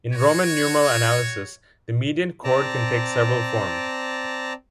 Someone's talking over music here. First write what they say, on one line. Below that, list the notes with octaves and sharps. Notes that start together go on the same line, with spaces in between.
In Roman numeral analysis, the mediant chord can take several forms.
F#4 C#5
C4 D5 A5 A#5